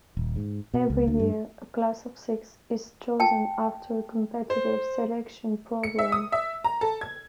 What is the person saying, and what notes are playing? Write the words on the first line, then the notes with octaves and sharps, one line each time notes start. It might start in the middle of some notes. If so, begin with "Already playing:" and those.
Every year a class of six is chosen after a competitive selection program.
D#1
G#2
B2
C#2
D2
G2
G5 A5
C5
C#7
E5
D#6
E5
A#5
A4
G#6